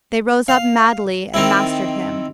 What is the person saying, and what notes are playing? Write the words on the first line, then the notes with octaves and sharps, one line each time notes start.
They rose up madly and mastered him.
F5
D#3 C4 E4